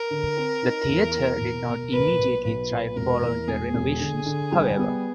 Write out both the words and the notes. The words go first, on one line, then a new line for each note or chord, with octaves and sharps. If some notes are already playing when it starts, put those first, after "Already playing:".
The Theatre did not immediately thrive following the renovations, however.
Already playing: A#4
D3
C4
D#4
E2
A#3
B2
B2
A#2 B4
B1
B1 B4
A#2
E1 A#4
E2
E1 G#4
E1
D3
D3
G3
B3